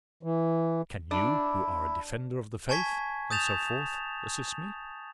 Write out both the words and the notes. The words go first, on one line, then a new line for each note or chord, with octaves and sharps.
Can you, who are a defender of the faith, and so forth, assist me?
E3
D4 E4
G#5 A5 C#6 G#6 B6
D#6 G6 A6 E7 F7